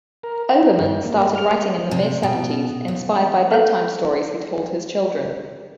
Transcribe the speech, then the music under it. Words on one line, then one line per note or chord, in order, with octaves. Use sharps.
Oberman started writing in the mid-seventies, inspired by bedtime stories he told his children.
A#4
D#4
G2
A#3
F6
G4
C3
B2
E2
A4 B4